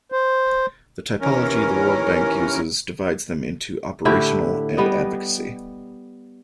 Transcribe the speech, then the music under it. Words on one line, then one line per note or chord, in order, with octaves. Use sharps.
The typology the World Bank uses divides them into Operational and Advocacy.
C5
D#2 E3 C#4 A#4
A2 D3 E4 G4
G3 B3 D#5